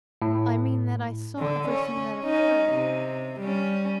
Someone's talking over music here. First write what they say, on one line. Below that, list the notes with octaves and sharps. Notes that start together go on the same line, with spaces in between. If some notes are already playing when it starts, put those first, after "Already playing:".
"I mean that I saw everything that occurred."
A2
D3
C#4
C#4 D#4
C3
G3 C#4